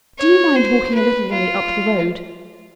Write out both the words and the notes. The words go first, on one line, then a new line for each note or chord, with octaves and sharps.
Do you mind walking a little way up the road?
C#5
C5
B4
F4